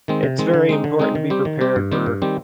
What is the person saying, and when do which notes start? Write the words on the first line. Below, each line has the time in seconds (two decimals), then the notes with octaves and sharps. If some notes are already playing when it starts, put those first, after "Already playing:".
it's very important to be prepared for,
0.08 D#3 G#3 C4
0.23 C3
0.38 D#3 G#3 C4
0.54 D3
0.69 G#3 C4 D#4
0.84 D3
0.99 G#3 C4 D#4
1.15 D#3
1.30 G3 C4 G4
1.45 D#3
1.61 G3 C4 G4
1.76 G2
1.91 D#3 G3 C4 G4
2.06 G2
2.22 D#3 G3 C4 G4